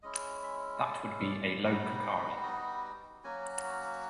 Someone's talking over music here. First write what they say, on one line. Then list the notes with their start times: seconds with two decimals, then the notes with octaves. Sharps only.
That would be a "low kakari".
0.03 G#3 C#4 E4 D#5
0.43 E5
0.83 D5
1.23 D5
1.63 G3 B3 D#4 F#4
2.43 D#5
3.24 F#3 A#3 C#4 F#4 G#5